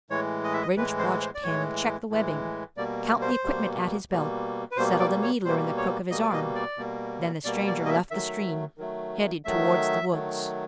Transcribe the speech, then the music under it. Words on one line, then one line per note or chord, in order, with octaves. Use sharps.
Rynch watched him check the webbing, count the equipment at his belt, settle the needler in the crook of his arm. Then the stranger left the stream, headed towards the woods.
A2 E3 G#3 C#5
D#5
E5
D#5
A2 E3 G#3 B4
C5
C5
D5
A2 E3 G#3 C#5
A2 E3 G#3
B2 G3 A#3 D5
C5
B2 G3 A#3
B2 G3 A#3
B4
B2 G3 A#3 C5
D5
C#5
B2 G3 A#3 C5
C#5
B2 G3 A#3 D#5
D5
D#5
D5
B2 G3 A#3
B2 G3 A#3 D5
D5
D#5
E5
D#3 F#3 A3 E5
D#3 F#3 A3
D#3 F#3 A3 E5
D#3 F#3 A3